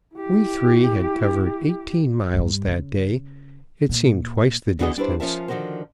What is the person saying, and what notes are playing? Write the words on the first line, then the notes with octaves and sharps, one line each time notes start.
We three had covered eighteen miles that day; it seemed twice the distance.
E4 G4
G2 G3
C#3
A#2
E2 D3 E3 F#4 G#4 D#5
G3 D4 E4 B4 C5
F3 C#4 F4 A#4 E5 A5
D3 D#3 F3 F#4 A#4 C5